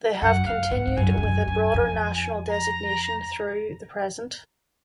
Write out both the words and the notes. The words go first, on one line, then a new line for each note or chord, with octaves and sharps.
They have continued with a broader national designation through the present.
F#2 F#5
F#2 F5
G#2 F#5
G#2
F#2 G#5
F2
F#2
F#2
F2
A#5